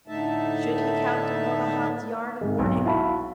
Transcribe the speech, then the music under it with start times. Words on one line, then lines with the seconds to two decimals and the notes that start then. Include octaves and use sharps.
Should he count De Morbihan's yarn a warning?
0.08 A2 D3 A3 D#4 E5 A5
2.41 G#2 C3 G#3
2.59 B1
2.85 E4 F#4 F5 A5 B5